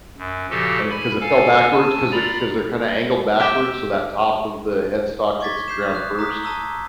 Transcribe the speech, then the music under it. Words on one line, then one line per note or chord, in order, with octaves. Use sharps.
and it 'cause it fell backwards 'cause it 'cause they're kinda angled backwards, so, that top of the headstock hits the ground first
F#2
A#2 C#3 F3 F#4 G4 A4
G#5 B5
A4 F5 G#5
G#5 A5 E6
F4 D5 A#5 B5
G4 E5 G5
C#6 D6 G#6 A6 B6
G6 C7 E7
D#6 F#6
A#5 D#6 B6
A5 A#5 D#6 E6 G7